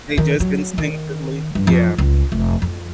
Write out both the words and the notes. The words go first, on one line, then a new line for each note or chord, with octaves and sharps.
They just instinctively yeah,
D#3
F#3
D#3
G2
F2
C#2
F1
F2